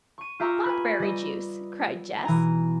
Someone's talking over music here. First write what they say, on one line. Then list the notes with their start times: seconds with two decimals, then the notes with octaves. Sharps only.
"Blackberry juice!" cried Jess.
0.18 C#6 D#7
0.40 F4 G4 E5 G#5 A#5 C#6
0.65 B4 G#5
0.99 G3 D#5
2.25 B2 E3 G#5 A#5